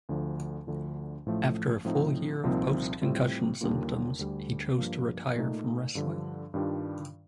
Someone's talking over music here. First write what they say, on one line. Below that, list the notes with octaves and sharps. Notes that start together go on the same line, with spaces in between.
After a full year of post-concussion symptoms he chose to retire from wrestling.
D2 D3 F3
D2 D3 F3
A1 A2 F3 A3
A2 F3 C4 D#4
C2 A#2 F3 C4 D#4
A2 G3 C4 F4
D#2 D3 G3 A#3 F4
D2 D3 G3
G2 F3 A#3
A#2 A3 D#4
G2 D3 F3
G2 D#3 G3 D4 F4